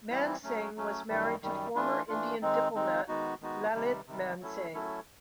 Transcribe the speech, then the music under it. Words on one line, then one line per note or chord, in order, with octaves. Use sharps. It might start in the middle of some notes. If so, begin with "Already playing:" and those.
Mansingh was married to former Indian diplomat Lalit Mansingh.
E3 G3 C4 E4
F#3 A3 C#4
F#3 A3 C#4
F#2 D#3 G3
F#2 D#3 G3
E3 A3 D4 F4
E3 A3 D4 F4
D#3 G#3 C4 D#4
D#3 G#3 C4 D#4
D#3 G#3 B3 D#4 F#4
D#3 G#3 B3 D#4 F#4
C3 D#3 G3
C3 D#3 G3
F#3 A3 C#4 E4 A4
F#3 A3 C#4 E4 A4